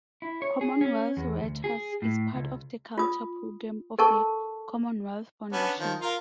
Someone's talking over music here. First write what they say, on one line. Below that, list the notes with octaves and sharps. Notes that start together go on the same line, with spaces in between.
Commonwealth Writers is part of the Culture programme of the Commonwealth Foundation.
E4
C#5
G#4
C#4
E2
D2
G#4
A2
C#2
F4 D#6
A4 A#4 A5 C#6
B3 C#4 D4
D#3 F3
F4 A#4 F5